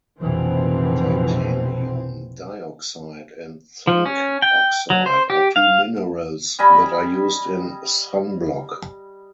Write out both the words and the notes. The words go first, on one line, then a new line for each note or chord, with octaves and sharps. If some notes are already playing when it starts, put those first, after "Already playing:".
Titanium dioxide and zinc oxide are two minerals that are used in sunblock.
F1 A#1 B2 E3 C4
F3
C#4
G5
F#3
C5
G4
F5
G3 D#5 G#5 B5